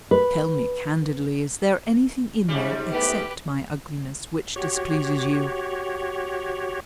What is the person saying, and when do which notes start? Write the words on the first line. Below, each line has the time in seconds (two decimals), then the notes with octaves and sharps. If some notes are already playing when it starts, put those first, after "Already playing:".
Tell me candidly, is there anything in me, except my ugliness, which displeases you?
0.11 B4
2.48 G#2 C#3 G3
2.90 E3 A3 B3 G4 B4
4.56 F#4 G4 C#5